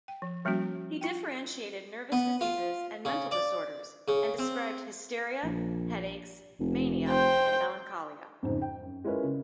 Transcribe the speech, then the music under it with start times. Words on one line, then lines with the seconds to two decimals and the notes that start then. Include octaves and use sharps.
He differentiated nervous diseases and mental disorders and described hysteria, headaches, mania and melancholia.
0.08 G5
0.22 F3
0.45 F3 G3 A#3 C#4 F#4
1.01 F4 G5
2.12 B3
2.41 F4
3.05 C#3
3.31 D5
4.08 C#3
4.39 C4
5.44 A#1
6.60 F1
7.09 C5 G5
8.43 F2 G#2 C#3
8.62 G5
8.82 F#2
9.04 G#3 C#4 E4 F4 A#4 B4
9.23 C#3